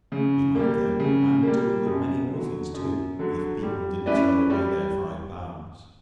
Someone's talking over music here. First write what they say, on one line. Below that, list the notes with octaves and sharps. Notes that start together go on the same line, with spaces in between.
We might though, and do a good many more things too, if people didn't throw away their five pounds.
C#3
G3 A#3
C#3
G3 A#3
F#2
D3 F#3
F#2
D3 F#3
G3
C#4 E4 B4 D5
G3